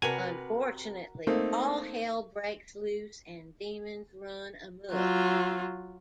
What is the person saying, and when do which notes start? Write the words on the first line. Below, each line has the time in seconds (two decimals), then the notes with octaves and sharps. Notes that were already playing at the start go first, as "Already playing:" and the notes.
Unfortunately, all hell breaks loose and demons run amok.
0.02 C3 F#4 A#4 B4 F#5 G#5
1.27 A3 A#3 C4 D#4
4.92 F#3 F4